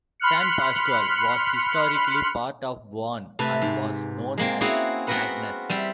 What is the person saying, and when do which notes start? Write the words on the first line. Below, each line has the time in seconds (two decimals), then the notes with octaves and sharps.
San Pascual was historically part of Bauan and was known as "Lagnas".
0.20 B5 C6 F6 F#6 C#7
3.39 C3 A3 B4
3.62 G#2
4.38 G#3 A#3 C4
4.61 A#3 C4 C#4 E4 F#4 G#4
5.07 B3 C4 F#4 A#4 B4 F#5
5.70 G3 C4 E5